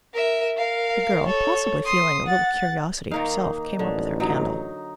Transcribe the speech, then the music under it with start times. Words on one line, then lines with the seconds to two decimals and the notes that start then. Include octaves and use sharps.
The girl, possibly feeling a little curiosity herself, came up with her candle.
0.13 A#4 E5
0.56 A#4 F5
1.26 A4 C#5
1.85 C6 D#6
2.26 F#5 A6
3.11 D#3 A#3 D#4 F5
3.79 A1 D3
4.20 F#3 D#4